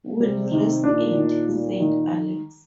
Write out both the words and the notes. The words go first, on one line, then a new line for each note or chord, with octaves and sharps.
"We'll risk it," said Alex.
C3 G3
D#3
A#2 D4
D#3
G3
D#3